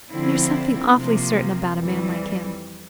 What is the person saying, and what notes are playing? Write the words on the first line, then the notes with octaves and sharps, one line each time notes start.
There is something awfully certain about a man like him.
D3 F3 C4 E4
C3 F3 A#3
F2 E3 G3